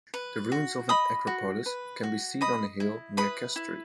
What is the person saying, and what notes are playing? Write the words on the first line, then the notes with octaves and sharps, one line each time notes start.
The ruins of an acropolis can be seen on a hill near Kastri.
B4
F#4
D#5 B5 D#6
F#4
B4
F#4
D#5 B5 D#6
E4
B4 B5 D#6
E4